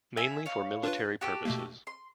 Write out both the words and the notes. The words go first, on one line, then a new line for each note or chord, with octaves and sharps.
Mainly for military purposes.
E5 G#5
C#5 F5
D4 F4 B4
F#4 G4 A4
B2 A3 A#3
C6